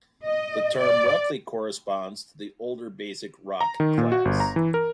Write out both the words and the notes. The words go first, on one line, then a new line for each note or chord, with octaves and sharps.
The term roughly corresponds to the older basic rock class.
D#5
D5
A#5
D#3
A#2
F#4
G1
A#5
E3
A#4